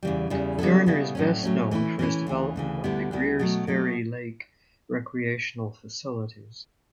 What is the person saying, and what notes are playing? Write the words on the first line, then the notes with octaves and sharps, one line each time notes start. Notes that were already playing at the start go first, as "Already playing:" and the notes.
Garner is best known for his development of the Greers Ferry Lake recreational facilities.
E2 C#3 E3 G3
E2 C#3 E3 G3
C#3 G3 B3 E4 A4
C#3 G3 B3 E4 A4
A2 F#3 A3 C#4
A2 F#3 A3 C#4
E3 A3 C#4 E4
E3 A3 C#4 E4
D2 C#3 E3
D2 C#3 E3
D2 D3 G3 B3 E4
D2 D3 G3 B3 E4
B2 F#3 A3
B2 F#3 A3